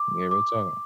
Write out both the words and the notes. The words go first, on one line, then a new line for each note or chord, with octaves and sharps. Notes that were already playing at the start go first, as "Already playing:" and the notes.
Yeah, real talk.
Already playing: D6
D6